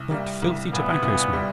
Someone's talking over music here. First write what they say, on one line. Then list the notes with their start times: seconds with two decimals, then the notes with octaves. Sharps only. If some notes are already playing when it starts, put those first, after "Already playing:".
That filthy tobacco-smoke!
Already playing: C2
0.11 G3 A#3
0.42 C2 A#3
0.72 A#2 B3
1.03 C2
1.33 G3